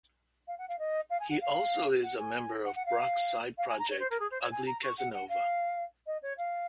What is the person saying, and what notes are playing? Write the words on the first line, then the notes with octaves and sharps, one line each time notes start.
He also is a member of Brock's side project Ugly Casanova.
F5
F#5
F5
D#5
F5
G#5
F#5
F5
F#5
G#5
F#5
F#5
F5
F5
G#5
A#5
C#5
C5
A#4
G#4
C5
C#5
G#5
A#5
C#6
F#5
F#5
F5
D#5
C#5
F5